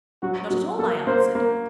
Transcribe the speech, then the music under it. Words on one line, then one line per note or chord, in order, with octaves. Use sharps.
'Not at all,' I answered.
F#3 F#4
F#3
A#3 A4
A#3 C5
A#3